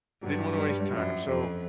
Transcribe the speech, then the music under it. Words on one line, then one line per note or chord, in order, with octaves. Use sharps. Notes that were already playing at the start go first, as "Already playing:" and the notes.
Didn't want to waste time. So
G2 F#3
G3
G3
G3
F#2 F3
F2